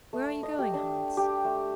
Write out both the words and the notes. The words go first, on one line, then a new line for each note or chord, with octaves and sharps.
'Where are you going, Hans?'
A3
D#5
G4
D4
G4
A3